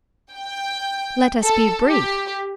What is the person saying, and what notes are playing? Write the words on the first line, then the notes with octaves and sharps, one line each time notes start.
Let us be brief.
G5
A4
G4